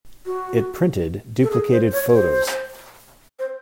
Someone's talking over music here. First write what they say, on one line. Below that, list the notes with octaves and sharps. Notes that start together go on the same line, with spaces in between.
It printed duplicated photos.
F#4
A4
G#4
C5
C#5
C5
C5